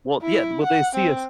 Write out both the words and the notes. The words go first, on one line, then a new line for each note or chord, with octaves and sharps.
Well, yeah, well, they see us
E4
F#5
C4